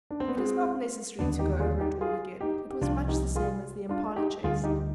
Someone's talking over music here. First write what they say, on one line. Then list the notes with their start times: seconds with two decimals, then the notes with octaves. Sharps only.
It is not necessary to go over it all again: it was much the same as the impala chase.
0.11 D4
0.20 C4
0.28 B3
0.37 G#3 C4
1.19 D#2 D3 G#3 B3 C4 D4
1.39 D#4 G4
1.60 F4 G#4
1.80 D#4 G4
2.01 F4 G#4
2.41 D#4 G4
2.71 G4
2.81 C2 C3 F3 D4 F4
3.08 D#4 G4
3.36 F4 G#4
3.89 D4 F4
4.16 D#4 G4
4.44 D2 D3 G3 F4 G#4
4.64 D#4 G4